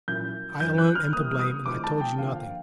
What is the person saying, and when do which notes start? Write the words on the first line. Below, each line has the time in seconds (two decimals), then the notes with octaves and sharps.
I alone am to blame, and I told you nothing.
0.08 A#2 F#3 A#3 C#4 E4 G6
0.60 F#2 D3 F3 G6
0.78 F#6
0.95 F6
1.13 C3 E3 G3 A#3 D#6
1.39 D#6
1.66 D3 F3 G#3 B3 E4 D6
1.84 A5
2.01 G5
2.19 D3 F3 A#3 F5
2.36 F5